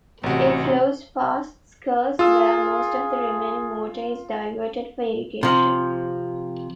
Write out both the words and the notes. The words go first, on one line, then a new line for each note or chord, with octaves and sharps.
It flows past Schurz, where most of the remaining water is diverted for irrigation.
A1 C3 F#4
F4 G#4 E6
C3 F3